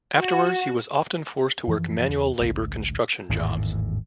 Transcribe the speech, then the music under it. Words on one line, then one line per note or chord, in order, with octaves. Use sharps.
Afterwards he was often forced to work manual labor construction jobs.
F#4
F#2 E3 F3
E2
A1 D2 G#2
G#1 E2 A2